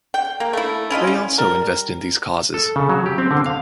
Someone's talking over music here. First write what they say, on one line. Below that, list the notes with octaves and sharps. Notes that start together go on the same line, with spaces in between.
They also invest in these causes.
G5
A#3
A3 E4
C#4 E4 F4 D#5
C#4
G3 A#4
A4
C#3
F#3
G4
C4
D3
F5